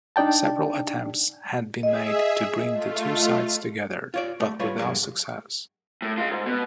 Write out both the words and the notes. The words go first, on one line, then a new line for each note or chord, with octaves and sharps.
Several attempts had been made to bring the two sides together, but without success.
D4 D#4 D5 G5 A5
G#4 D#5 E5
A3 F4
F4 C#5 D5
C2 A3
G3 F4 B4 C#5
G2 F#3 G#3 A#3
A2
G#3 F4
G#2
B2 B3